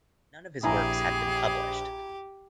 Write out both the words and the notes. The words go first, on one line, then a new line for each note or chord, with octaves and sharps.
None of his works had been published.
A#1 E4 G4 G#4 G#5 A#5